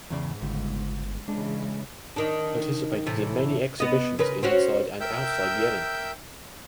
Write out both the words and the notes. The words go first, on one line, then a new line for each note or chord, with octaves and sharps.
Participated in many exhibitions inside and outside Yemen.
E2 G#2 C#3 D5
G1 C#2
C#3 E3 G#3 D4
D#3 D4
A2 C3 E3
B3 D#5
C#3 A#4 B4
C4 C#4 F#4
A#4 E5 G5 E6 G6